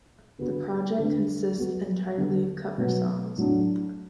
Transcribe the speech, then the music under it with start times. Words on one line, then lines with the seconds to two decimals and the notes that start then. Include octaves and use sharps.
The project consists entirely of cover songs.
0.39 D3 B3 F#4 B4
0.98 D3 A3 D4 B4
1.58 F#3 B3 F#4 A4
2.18 D3 B3 D4 A4
2.78 B2 F#3 B3
3.37 A2 F#3 D4